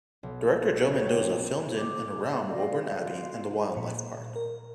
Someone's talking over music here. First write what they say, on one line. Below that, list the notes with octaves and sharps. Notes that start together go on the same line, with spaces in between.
Director Joe Mendoza filmed in and around Woburn Abbey and the Wildlife Park.
B1
A4
C#5
G4
D6
G#4
A4 D5 D#5 F5
F4 F#4 F5
A#2
A#4